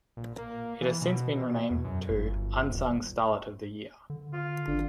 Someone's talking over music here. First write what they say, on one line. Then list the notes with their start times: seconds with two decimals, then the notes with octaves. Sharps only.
It has since been renamed to "Unsung Starlet of the Year".
0.17 A#1
0.38 A#3
0.81 E3
1.01 B2
1.70 E2
1.84 F#2
2.09 G1
2.69 D#1
4.10 D3
4.33 F4
4.67 G#1 D3